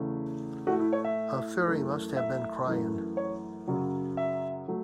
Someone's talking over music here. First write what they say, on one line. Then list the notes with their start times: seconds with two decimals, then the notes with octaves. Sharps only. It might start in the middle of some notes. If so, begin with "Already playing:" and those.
A fairy must have been crying.
Already playing: E2 C#3 A3
0.67 A2 A3 F#4
0.80 E4
0.93 C#5
1.04 E5
1.67 F#2 E3 A3
2.17 E5
2.67 F#2 E3 A3
3.17 C#5
3.67 F#2 C#3 F#3
4.17 E5
4.68 F#3 A3